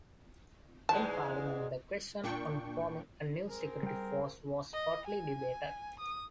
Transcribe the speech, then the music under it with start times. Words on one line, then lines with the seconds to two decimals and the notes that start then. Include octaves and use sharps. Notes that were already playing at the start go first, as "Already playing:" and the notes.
In parliament the question on forming a new security force was hotly debated.
0.89 E2 G#2 G#3 A5
2.24 A#2 D4 G5 C#6
3.48 C4 G#4 A#4
3.83 G3 G5
4.73 D#5
5.06 G#5
5.99 D#6